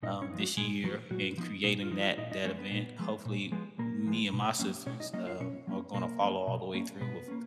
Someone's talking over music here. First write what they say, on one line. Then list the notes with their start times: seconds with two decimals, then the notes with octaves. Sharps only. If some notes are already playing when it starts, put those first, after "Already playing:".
um, this year in creating that that event. Hopefully me and my sisters, um, are gonna follow all the way through with
0.03 A#2 D#4 D#5
0.22 C#4 C#5
0.30 F3 B3 D#4
0.39 F#3 F#4
0.57 A#2 G#3 G#4
0.84 F3 F#3 B3 D#4 F#4
1.11 A#2 F#3 F#4
1.38 F3 B3 D#4
1.64 A#2 D#4
1.82 F4
1.91 F3 B3 D#4
2.00 F4
2.18 A#2 D#4 D#5
2.32 D#4 D#5
2.45 F3 G#3 B3 C#4 C#5
2.58 B3 B4
2.71 A#2
2.99 F3 G#3 B3
3.25 A#2
3.52 F3 G#3 B3
3.79 A#2 A#3 A#4
4.06 F3 G#3 B3
4.33 B2
4.60 F#3 A#3 C#4
4.86 B2 C#4 C#5
5.00 D#4 D#5
5.13 F#3 A#3 C#4 D#4 D#5
5.26 F4 F5
5.40 B2 C#4 C#5
5.67 F#3 A#3 C#4
5.94 B2 A#3 A#4
6.20 F#3 A#3 C#4
6.47 B2
6.75 A#3 C#4
7.01 B2 B3 B4
7.28 A#3 C#4